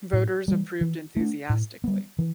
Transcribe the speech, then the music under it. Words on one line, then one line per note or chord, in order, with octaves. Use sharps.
Voters approved enthusiastically.
A2
E3 G3
E3
A3 D4
A2
G3 B3
E3